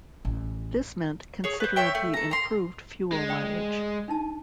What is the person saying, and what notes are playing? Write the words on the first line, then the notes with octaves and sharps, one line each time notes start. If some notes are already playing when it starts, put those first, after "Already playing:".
This meant considerably improved fuel mileage.
A1
G#4 C#5
B4 C5
C5 C#5 E5 G5
A3
A4 A#5
A#5 C6
G#3
D5 G5 B5
D4 D#4 A5